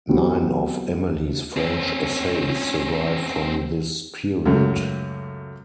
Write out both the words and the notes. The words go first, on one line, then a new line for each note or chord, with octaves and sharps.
Nine of Emily's French essays survive from this period.
F#3 B3 C4 E4 F#4 G4
C4 C#4
C#2 F#2 A3